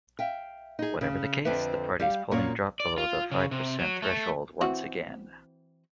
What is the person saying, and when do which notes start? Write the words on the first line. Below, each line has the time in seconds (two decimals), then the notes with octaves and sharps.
Whatever the case, the party's polling dropped below the five percent threshold once again.
0.19 E5 F5 G5
0.79 D#4 G#4
1.01 C#3
1.45 F2 D3 C4 D4 B4 E5
2.00 G3 G4 F5
2.31 A#2 F#3 A#3 C#4 A#4 C#5
2.80 D5
2.98 F4
3.31 C#3
3.51 C3
3.79 F#3
4.02 A3
4.61 E3 C4 F#4